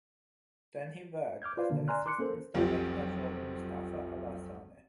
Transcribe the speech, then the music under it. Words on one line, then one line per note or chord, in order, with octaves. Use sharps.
Then he worked as the assistant director for Moustapha Alassane.
D6 F6 G6 G#6
F4 B4 C5 D5 F5
B2 D3 D#3 A#3 D4
D5 G#5 A#5 C6 F6 F#6
C6 D6 F#6 C#7
A#3 C#4 A4 A#4 C5
F1 B1 F3 C4 G4